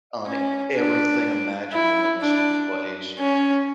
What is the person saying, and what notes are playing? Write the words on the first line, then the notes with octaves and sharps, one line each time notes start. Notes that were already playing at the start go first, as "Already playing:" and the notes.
on everything imaginable in the stupid place.
C#4
D4
E4
D4
C#4